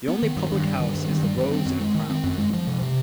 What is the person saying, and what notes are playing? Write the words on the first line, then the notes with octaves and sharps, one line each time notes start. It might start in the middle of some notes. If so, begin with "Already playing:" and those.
The only public house is the Rose and Crown.
B3
D#3
G2
G2
G3
D#3
G2
G2
G3
D#3
C4
F#2
G#3
D#3
C4
F#2
G#3
F3
C3
C3